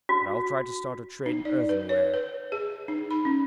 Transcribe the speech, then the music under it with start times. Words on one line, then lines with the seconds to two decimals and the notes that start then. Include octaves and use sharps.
But I will try to start a trade in earthenware.
0.09 F#4
1.26 D#4
1.45 D5
1.69 B4
1.89 C#5
2.14 B4
2.52 G#4
2.88 D#4
3.11 B5
3.25 C#4